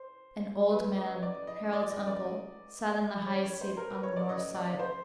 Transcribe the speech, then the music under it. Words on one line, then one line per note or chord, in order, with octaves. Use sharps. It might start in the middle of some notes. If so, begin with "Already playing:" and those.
An old man, Harald's uncle, sat in the high seat on the north side.
Already playing: C5
B4
D#5
D5
D#5
D5
D#5
D5
C#5
C#5
C5
A#4
B4
C#5
D5
D#5
D5
C5